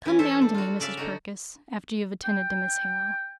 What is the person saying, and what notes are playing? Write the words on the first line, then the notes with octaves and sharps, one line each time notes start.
'Come down to me, Mrs. Purkis, after you have attended to Miss Hale.
E3 C#4
A4 C5 E5
D4
F4 F#4
C#3 D5 E5 F5
D3 D#4 F#4
G5